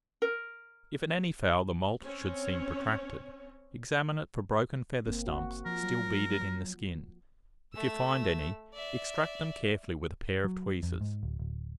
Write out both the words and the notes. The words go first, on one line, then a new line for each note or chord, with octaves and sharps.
If in any fowl the moult should seem protracted, examine it for broken feather-stumps still beaded in the skin: if you find any, extract them carefully with a pair of tweezers.
A#4
C4 C#4 C#5
F#1 A#3 C4
F#4
F3 A#4
F#3
A3 E6
D5 E5
F#3
F2
G#2
D1
D1